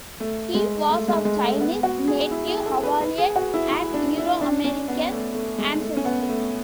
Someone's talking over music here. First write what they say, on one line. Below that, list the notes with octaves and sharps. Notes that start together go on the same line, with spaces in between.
He was of Chinese, Native Hawaiian, and Euro-American ancestry.
A3
G#3
A3
G#3
G#3
A3
B3
F#4
G#4
E4
G#4
A4
B4
B4
G#4
F#4
E4
E4
D4
E4
D4
C#4
B3
A3
A3
G#3
A3
C#4
B3
A3